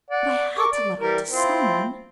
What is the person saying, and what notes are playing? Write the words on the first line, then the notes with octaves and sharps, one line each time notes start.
But I had to let off to some one.
D5 F#5
A#4 C#6 D6
D5
E3 G3 A#4
C4 E4 F4